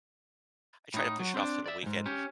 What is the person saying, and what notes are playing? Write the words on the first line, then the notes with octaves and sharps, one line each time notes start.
I try to push it off to the weekend,
A2 D#4
F#3
C4 D4
D5 E5
D2 G#2
C#4 G4